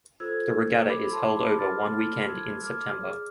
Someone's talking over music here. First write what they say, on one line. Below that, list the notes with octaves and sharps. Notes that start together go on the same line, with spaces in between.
The regatta is held over one weekend in September.
F4 A4 C5 E6 G#6
E6
B5 D6
A5 C6
B5 D6
F6 A6
F6 A6
E6 G#6
D6 F6
G#4 D5